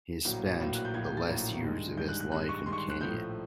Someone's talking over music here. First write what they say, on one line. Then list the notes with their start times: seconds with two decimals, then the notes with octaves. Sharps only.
He spent the last years of his life in Kenya.
0.25 A#1 A2 F#3 A#3
0.60 A#1 A2 F#3 A#3
0.75 F#6
0.85 G6
0.94 A#1 A2 F#3 A#3 G#6
1.05 G6
1.17 A6
1.29 A#1 A2 F#3 A#3
1.63 G2 D#3 G#3
1.97 G2 D#3 G#3 G6
2.08 F#6
2.20 F#6
2.32 G2 D#3 G#3 F#6
2.49 C#6
2.66 G2 D#3 G#3 C6
2.73 C#6
2.78 C6
2.90 F#6
3.01 A#1 A2 F3 A3 G6